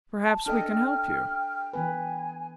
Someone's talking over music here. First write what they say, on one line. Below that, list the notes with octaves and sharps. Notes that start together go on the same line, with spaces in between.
Perhaps we can help you.'
A5
D4 A4 D#5 G5 F6
E3 B3 B4 G#5